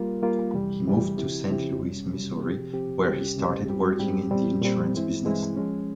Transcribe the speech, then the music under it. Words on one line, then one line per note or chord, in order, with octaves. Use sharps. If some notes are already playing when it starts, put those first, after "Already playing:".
He moved to Saint Louis, Missouri where he started working in the insurance business.
Already playing: G3 A#3 F4 A#4
G3 A#3 F4 A#4
F2 C3 E3 G3
F2 C3 E3 G3
C#3 F3 C4 E4 G4
C#3 F3 C4 E4 G4
F2 C3 G3 C#4
F2 C3 G3 C#4
C3 F3 C4 G4
C3 F3 C4 G4
C#2 C3 G3 C#4 G4
C#2 C3 G3 C#4 G4
G#2 G3 C4 G4
G#2 G3 C4 G4
A#2 G3 C4
A#2 G3 C4
G2 E3 G#3 C4 E4
G2 E3 G#3 C4 E4
F3 G#3 C#4